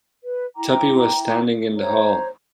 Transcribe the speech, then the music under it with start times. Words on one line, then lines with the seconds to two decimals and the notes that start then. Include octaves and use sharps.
Tuppy was standing in the hall.
0.23 B4
0.56 E4 G5 A#5 D6
1.77 C5 C#5 A#5